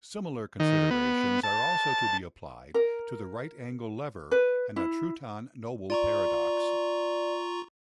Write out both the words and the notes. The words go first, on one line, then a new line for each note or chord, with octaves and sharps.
Similar considerations are also to be applied to the right-angle lever and Trouton-Noble paradox.
D#3
B3
A5
A#4
B4
E4
F4 D5 A#5 C#6